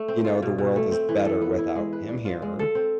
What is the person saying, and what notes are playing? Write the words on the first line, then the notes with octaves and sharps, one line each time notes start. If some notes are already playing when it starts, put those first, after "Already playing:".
you know, "the world is better without him here,"
Already playing: A3
C4
F4
B2
B2
A3
C4
E3
A4
B3
E4
G#3
B4
D4
F4
G#3
A4
C4